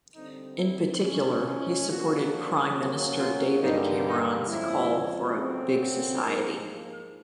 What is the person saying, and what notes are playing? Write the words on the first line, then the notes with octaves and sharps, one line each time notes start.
In particular, he supported Prime Minister David Cameron's call for a "Big Society".
D3 G3 C4 D#4
E4
A2 F3 G#3 C#4
F4
A#2 F3 A#3 D4 F#4
C#3 F#3 A#3 C#4
F4
G2 D3 G3 A#3 D#4
D#4
F2 C#3 F3 G#3 E4
C#3 F#3 A3 C4
G#2 F3 A#3 A#4